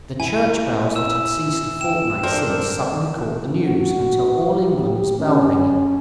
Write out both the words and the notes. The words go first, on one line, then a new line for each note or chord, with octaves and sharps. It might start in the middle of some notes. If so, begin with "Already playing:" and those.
The church bells that had ceased a fortnight since suddenly caught the news, until all England was bell-ringing.
E4 G#5
E6 E7
G5 E7
D4 A4 A#4 C5
F#4
G4
C#4